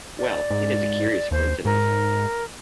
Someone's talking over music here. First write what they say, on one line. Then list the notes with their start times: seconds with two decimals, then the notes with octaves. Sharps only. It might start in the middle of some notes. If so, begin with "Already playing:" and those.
Well, it is a curious coincidence.
0.18 D5
0.50 G#2
1.31 D#2 C5
1.65 G#2 A#4